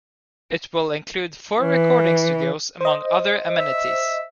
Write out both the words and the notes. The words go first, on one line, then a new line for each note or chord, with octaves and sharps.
It will include four recording studios, among other amenities.
E3
C5 D#5
E5